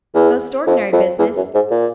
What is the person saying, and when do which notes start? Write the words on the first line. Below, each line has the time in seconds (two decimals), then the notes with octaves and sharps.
Most ordinary business.
0.15 E2
0.67 F2
0.93 F2
1.19 E2
1.37 F#2
1.54 G#2
1.71 A#2